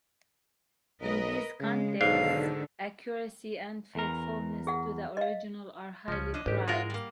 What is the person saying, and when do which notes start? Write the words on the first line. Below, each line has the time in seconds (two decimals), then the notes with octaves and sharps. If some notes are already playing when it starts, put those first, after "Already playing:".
In these contexts, accuracy and faithfulness to the original are highly prized.
1.02 B1 A#4 B4 D#5
1.60 C#3 G#3
2.01 B1 G#2 D3 D#3 F5
3.95 E2 A#4
4.67 G#4 F#5
5.17 D#5 F5
6.08 C#2 F3 C#4
6.34 D4 D#5
6.46 A1 G#2 G4 E5
6.68 G#3 F4 F#4 A#4 C#5
6.90 G3 A#3